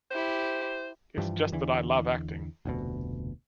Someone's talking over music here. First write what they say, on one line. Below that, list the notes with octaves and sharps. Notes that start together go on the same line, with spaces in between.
It's just that I love acting.
E4 G4 C5
G2 E3 F3 G3
E2 D3 E3
F1 D2 B2